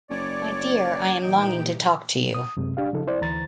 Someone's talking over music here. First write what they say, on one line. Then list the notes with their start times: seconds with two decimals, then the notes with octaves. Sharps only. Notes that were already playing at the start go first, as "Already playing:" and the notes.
My dear, I am longing to talk to you.
0.10 F#1 C#5 D5
1.22 A#2 E3 D#4 G4 G5
2.34 D#6
2.57 F#2 C3 G#3
2.77 D4 G4 F5
2.93 C#3 F3 D#4 A4
3.07 E4 C5 D5
3.21 D2 E3 A#5 A6